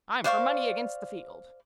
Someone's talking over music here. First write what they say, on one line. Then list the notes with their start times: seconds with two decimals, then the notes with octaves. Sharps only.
I'm for money against the field.
0.24 C5 D5 F5 C#6